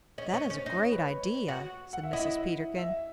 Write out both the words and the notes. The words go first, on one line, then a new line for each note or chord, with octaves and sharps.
"That is a great idea," said Mrs. Peterkin.
C#4 D#5
C#4
C#4 C#5
D#4
C#5
B4
C#5
F#4
F#5
E5
E4 D#5
E5